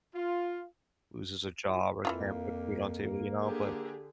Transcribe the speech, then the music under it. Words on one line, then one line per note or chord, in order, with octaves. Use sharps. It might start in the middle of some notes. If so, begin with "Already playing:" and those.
loses a job or can't put food on table, you know, but
F4
F2 E3 A#3 E4 F4
D3 G4 G#4